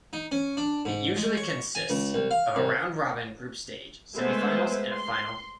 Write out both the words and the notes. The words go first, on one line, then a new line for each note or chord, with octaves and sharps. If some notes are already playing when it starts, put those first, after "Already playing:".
It usually consists of a round-robin group stage, semifinals, and a final.
D#4
C#4
D4
G#2
G#3
C#5
G#5
C#2
C2
F5
C2
G#3 A3 B3 B4 C5 E5
C6